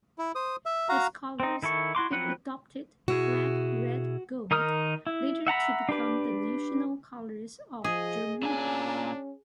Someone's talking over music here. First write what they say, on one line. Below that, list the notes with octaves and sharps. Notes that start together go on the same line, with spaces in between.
As colours, it adopted Black-Red-Gold, later to become the National colours of Germany.
E4
C5 D#6
E5
F#4 F5 A#5
C4 D#4
D#3 E4 A4 C#6
E4 F#4 C6 D6
F3 F#3 C4 B4 F#5
B2 E4 F#4 G#4
D#3 D#4 A#4 D#6 F6
E4
E5 F#5 A#5 B5
D4 G4 B4
F3 G#4 D#5
A#2 C#4 D4 G#5